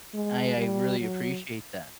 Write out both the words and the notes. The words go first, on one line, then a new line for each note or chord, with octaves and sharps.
I I really appreciate that.
G#3
G3
F#3